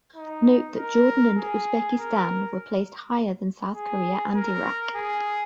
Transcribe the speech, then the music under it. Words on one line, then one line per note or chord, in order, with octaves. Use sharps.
Note that Jordan and Uzbekistan were placed higher than South Korea and Iraq.
D#4
A#4
G#4
A#4
G#4
A#4
G#4